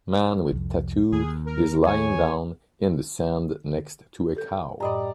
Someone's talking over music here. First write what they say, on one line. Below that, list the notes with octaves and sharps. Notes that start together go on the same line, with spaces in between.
Man with tattoo is lying down in the sand next to a cow.
C2 F2
D#2 G#4
A#4
G#4 C#5 G#5
G4 A4 G6
F#2 A2 G3 D5 D#5 A#5 B5